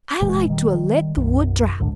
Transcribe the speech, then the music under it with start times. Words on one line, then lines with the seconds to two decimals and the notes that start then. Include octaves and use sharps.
I like to 'a' let de wood drap!
0.21 F1 A#2 E3 G#3
0.50 D#3 G3
1.17 B1 F#2
1.78 A1 D2 G#2 D3